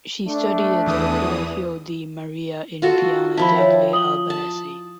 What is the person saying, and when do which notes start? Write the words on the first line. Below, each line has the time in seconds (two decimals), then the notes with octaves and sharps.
She studied at the Collegio di Maria in Piana degli Albanesi.
0.27 A3 D4
0.86 E2 E3 D#6
2.82 F4 F#4 A4
3.37 F3 E4 A5 B5
3.55 C#5 E5 G5
3.93 D#6 F#7 G7
4.30 A5